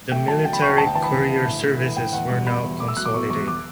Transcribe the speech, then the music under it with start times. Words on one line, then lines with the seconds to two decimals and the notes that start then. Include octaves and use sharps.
The military courier services were now consolidated.
0.11 A3 G5
0.28 F#3 A5
0.45 D3 G5
0.53 B5
0.62 D2 C#6
0.70 G5
0.78 D2 A5
0.87 G5
0.95 E3 A5
1.04 B5
1.13 C#3
1.28 D2
1.45 A2
1.63 A3
1.80 E3
1.96 A2 G5
2.13 E2 F#5
2.30 G3 F#5
2.47 B2 B5
2.64 E2
2.80 A3 D6
2.88 E6
2.97 F#3 F#6
3.05 D6
3.14 B2 C#6
3.30 E2 C#6
3.48 D6